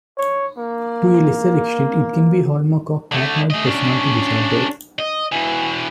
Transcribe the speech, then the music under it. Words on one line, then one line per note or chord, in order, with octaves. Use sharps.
To a lesser extent, it can be a hallmark of paranoid personality disorder.
C#5
A#3
D3 A3
A3 D#5
C#4 D4
D#5
B2 E3